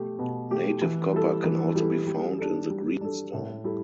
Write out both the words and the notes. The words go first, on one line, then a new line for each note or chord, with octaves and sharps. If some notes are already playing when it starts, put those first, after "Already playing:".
Native copper can also be found in the greenstone.
Already playing: B2 A3 G4
B2
A3 G4
E3
G3 E4 A4
E3
G3 E4 A4
G3
D4 A4
G3
D4 A4
A2
G3 E4 A4